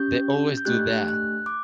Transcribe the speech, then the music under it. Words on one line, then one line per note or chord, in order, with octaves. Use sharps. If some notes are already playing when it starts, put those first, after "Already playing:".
They always do that.
Already playing: C#4 G4 G6
G6
A3 D4 G4 F#6
F#6
D6